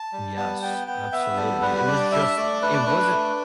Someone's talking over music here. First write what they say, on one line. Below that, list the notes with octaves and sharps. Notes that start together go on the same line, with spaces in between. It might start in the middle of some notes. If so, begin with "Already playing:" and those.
Yes, absolutely, it was just it wasn't
Already playing: A5
G3
B3 A5
B3 G5
B3 G5
B3 E5
G3 A4
G3 B4
D4 D5
D4 E5
A3 D5
D4 B4
D5
D4 B4
A3